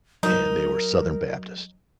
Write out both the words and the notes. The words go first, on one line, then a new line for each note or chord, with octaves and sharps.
and they were Southern Baptists.
F#3 D#4 A#4